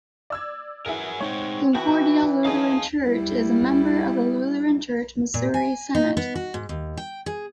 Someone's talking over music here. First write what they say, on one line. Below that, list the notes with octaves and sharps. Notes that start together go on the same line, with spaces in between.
Concordia Lutheran Church is a member of the Lutheran Church-Missouri Synod.
D5 E6 G#6
E3 E4 G#4 A#4 F#5 G#5
G#3 C4 D#4 C#5 F#5
E3 B3 F#4 G5 A5
D#4 G#4 F5 A5
G3 E4
A#2
G#5
D#4
B3
F#4
G#2
D#2
G5
G#4